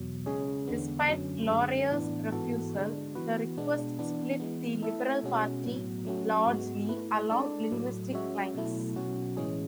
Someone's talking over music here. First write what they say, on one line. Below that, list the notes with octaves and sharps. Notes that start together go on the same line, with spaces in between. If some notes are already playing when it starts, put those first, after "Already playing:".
Despite Laurier's refusal, the request split the Liberal Party largely along linguistic lines.
Already playing: E2 B2 F#3
C#3 G#3 C#4 G#4 C#5
E2 D3 G#3 B3
F#2 D3 F#3 C#4
F#2 D3 G#3
A2 E3 B3 D4
G#2 E3 B3 F#4 A4
D3 G#3 D4
E3 B3 F#4 B4
B2 G#3 B3 D4
E3 B3 D4
E3 G#3 B3
A3 E4 A4 E5
B2 G#3 C#4 F#4
A2 F#3 B3
F#3 A3 C#4 F#4
G#2 G#3 B3 F#4
A3 E4 B4
G#3 D4 A4 D5
A2 F#3 A3
G#3 C#4 F#4 C#5 E5
B2 F#3 A3 E4
B2 F#3 C#4 F#4
A2 E3 G#3 C#4 G#4